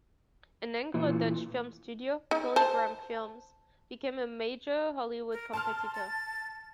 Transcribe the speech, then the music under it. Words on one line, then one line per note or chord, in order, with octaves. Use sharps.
An Anglo-Dutch film studio, PolyGram Films became a major Hollywood competitor.
A#2 E3
D#4
C5 A5
A#4
A5 C6 F6
A6